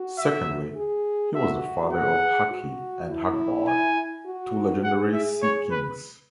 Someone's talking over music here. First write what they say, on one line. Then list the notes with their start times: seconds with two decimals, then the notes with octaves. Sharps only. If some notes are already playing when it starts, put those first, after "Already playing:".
Secondly, he was the father of Haki and Hagbard, two legendary sea-kings.
Already playing: F#4
0.18 E5
0.76 G#4
1.34 F#4 E5
1.92 G#4 F#5
2.51 F#4
3.10 E4
3.68 G#5
4.25 F#4
4.83 G#4 F#5
5.13 E5
5.42 C#5
5.71 B4